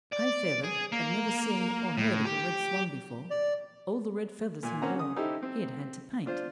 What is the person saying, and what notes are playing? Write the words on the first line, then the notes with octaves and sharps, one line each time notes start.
High-feather had never seen or heard of a red swan before; all the red feathers he wore he had had to paint.
D5
G#4
A#3
A2
G4
D5
A#2 G#5
A#3 C4 C#4 F#5 A#5
C#3 D#6
D#4 E4 G4 A4 C5
C4
D4 F4 C5